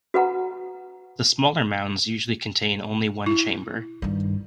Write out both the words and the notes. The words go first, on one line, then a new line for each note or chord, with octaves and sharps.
The smaller mounds usually contain only one chamber.
F#4 B4 F#5 A#5
E4
G2 D#3